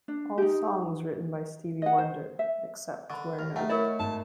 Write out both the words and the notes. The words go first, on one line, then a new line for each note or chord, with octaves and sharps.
All songs written by Stevie Wonder, except where noted.
D4
D#4 G4
D#5 F#5
C5
E5
D3 B5 C#6
D#2 F6
A3 D#5 F#5 G5 A#5
E4 A#4 C#5 D#5
G#1 A5